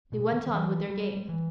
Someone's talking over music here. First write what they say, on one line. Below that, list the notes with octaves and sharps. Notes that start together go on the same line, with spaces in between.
They went on with their game.
B2
D#3
E3
G3
E3